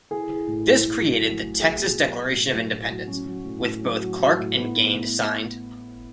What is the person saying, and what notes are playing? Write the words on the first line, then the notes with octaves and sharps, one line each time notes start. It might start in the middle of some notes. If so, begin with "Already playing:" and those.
This created the Texas Declaration of Independence, with both Clark and Gained signed.
E3 G#4
E3
A2
E3
A2
F#3
F#3
A2
F#3 G#4
B2
F#3
B2
A2
F#3
A2
F#3
F#3 C#4
F#3
A2
A2
F#3
F#3
F#3
A2
A2 B3
A2
A2